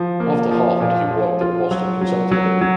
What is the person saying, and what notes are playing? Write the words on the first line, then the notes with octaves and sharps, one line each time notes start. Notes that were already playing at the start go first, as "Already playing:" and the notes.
After "Harvard" he worked at Boston Consulting Group.
Already playing: F3
A#3
F3
A#2
F3
F4
F#3
F#3
F#3
F#3